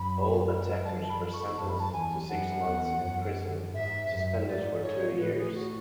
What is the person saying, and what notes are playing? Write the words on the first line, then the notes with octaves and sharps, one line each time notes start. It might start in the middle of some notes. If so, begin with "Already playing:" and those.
All attackers were sentenced to six months in prison, suspended for two years.
Already playing: F#2 B5
F#2 A5
B5
C#6
F#2 A5
B5
A5
E2 G#5
F#2 F#5
E2
F#2
G#2 E5
F#2
G#2 D5
C#5
A2 B4
G#4
F#4